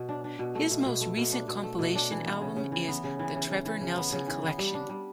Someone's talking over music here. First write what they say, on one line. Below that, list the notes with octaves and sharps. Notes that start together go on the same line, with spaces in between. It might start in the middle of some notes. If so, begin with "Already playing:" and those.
His most recent compilation album is "The Trevor Nelson Collection".
Already playing: B2
D4
D4
B2
A3
B2
B2
A3
B2
D4
B2
A3
B2
D4
E3
B3
C#3
C#3
E3
B3
C#3
E3
C#3
C#3
E3
C#3
B3
C#3
E3
B3
G3
D4
G3